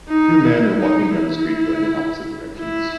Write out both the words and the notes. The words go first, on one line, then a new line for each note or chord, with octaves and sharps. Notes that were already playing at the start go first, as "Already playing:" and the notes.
Two men are walking down the street going in opposite directions.
D#4
E4
D#4
E4
E4